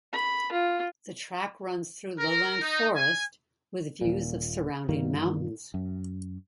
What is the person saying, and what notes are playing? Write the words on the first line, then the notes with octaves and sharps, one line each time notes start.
The track runs through lowland forest, with views of surrounding mountains.
B5
F4
A#4
D#4
G#5
D#1 A#2
G2 D#3 G3 A#3
F#2